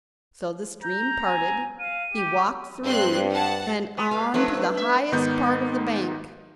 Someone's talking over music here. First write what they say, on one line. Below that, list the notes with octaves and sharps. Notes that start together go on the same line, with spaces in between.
So the stream parted; he walked through and on to the highest part of the bank.
A#5 G6
G#5
F5 D#7
G4
G2 C4 C6 F#6
F#5 A5
B3
B2 B4 F5
F3 F#3 A3 B3 D#4 B4
D4
E5
G#2 D#3 B3 D#4 G6